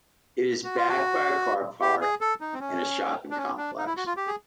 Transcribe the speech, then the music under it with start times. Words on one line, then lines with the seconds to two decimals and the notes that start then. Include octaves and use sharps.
It is backed by a car-park and a shopping complex.
0.64 F#4
0.76 F4
0.89 F#4
1.82 G4
2.01 G#4
2.21 A4
2.41 D#4
2.54 C4
2.60 C#4
3.30 D4
3.37 C#4
3.57 D4
3.78 D#4
3.87 E4
3.97 F#4
4.06 F4
4.17 G4
4.27 G#4